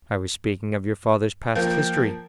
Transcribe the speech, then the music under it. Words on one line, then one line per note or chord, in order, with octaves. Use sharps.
I was speaking of your father's past history.
F3 A#3 G5